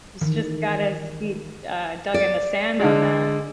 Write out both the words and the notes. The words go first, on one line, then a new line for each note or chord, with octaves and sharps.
He's just got his feet, uh, dug in the sand on that.
D#3 E3
D5
D3 G#3